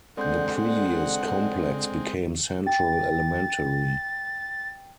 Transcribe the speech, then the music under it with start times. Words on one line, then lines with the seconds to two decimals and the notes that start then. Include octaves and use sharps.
The previous complex became Central Elementary.
0.17 D3 G#3 C4 D5 F#5 C6 G6
2.66 G5 A6